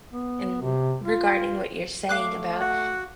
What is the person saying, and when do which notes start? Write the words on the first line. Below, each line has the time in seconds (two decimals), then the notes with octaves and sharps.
and regarding what you're saying about,
0.12 B3
0.62 C3
1.05 F4
2.09 A3 F5 D6 F#6
2.60 F#4 F#5